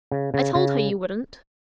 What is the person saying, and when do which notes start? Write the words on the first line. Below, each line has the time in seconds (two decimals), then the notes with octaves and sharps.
I told her you wouldn't.'
0.12 C#3
0.34 C#3
0.55 C#3